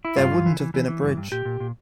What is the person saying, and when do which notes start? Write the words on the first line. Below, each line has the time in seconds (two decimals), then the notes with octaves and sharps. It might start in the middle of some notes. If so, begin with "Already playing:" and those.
There wouldn't have been a bridge.
0.05 E4
0.16 G2 F4
0.31 E3
0.46 E3
0.60 E3
0.74 E3
0.88 E3
1.03 G2
1.17 G2
1.32 A#2 G4
1.45 A#2
1.60 A#2